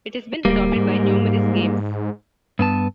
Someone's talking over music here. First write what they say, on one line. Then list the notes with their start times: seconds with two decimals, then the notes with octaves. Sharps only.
It has been adopted by numerous games.
0.45 D1 G3 A#3
0.76 G#2
2.59 G2 B3 A5